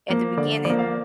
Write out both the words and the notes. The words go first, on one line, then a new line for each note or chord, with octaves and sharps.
at the beginning
F3 A#3
D3 D5
F3 A#3 D5
F5